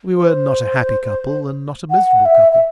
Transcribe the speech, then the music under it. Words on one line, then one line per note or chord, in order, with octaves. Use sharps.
We were not a happy couple, and not a miserable couple.
C5
F#5
E5
E5